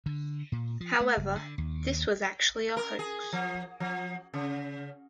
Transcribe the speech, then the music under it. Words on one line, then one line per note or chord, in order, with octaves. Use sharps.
However, this was actually a hoax.
D3
A#2
F3
A3
F#1
D3
D#2
A#4
G#4
F3
F3
C#3